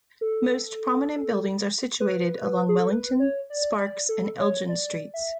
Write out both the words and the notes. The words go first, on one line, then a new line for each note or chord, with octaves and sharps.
Most prominent buildings are situated along Wellington, Sparks and Elgin streets.
A4
B4
G#4
A4
B4
C#5
D5
D5
A4
C#5
D5
E5